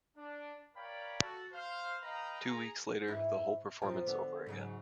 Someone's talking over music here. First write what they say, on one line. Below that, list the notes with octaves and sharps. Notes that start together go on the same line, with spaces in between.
Two weeks later the whole performance over again.
D4
A#4 C#5 D5 F5 G5 B5
F#4 A4 A5
C5 F5
B4 D#5 F5 G5 A#5
G#4 A#5
G#2 E3 E4
A#2 F3 C4
D3 B3
G#2 C#3 F#3